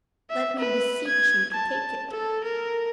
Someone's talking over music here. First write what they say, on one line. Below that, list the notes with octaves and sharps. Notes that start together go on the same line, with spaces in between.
"Let me beseech you to take it."
E5
B4
G#6
A5
A4
A#4